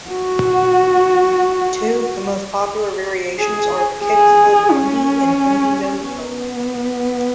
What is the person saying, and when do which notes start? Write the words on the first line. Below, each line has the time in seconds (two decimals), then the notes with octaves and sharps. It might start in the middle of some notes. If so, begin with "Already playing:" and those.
Two of the most popular variations are the kickflip Indy and Indy nosebone.
0.10 F#4
3.40 G#4
4.05 G#4
4.72 C#4
6.03 B3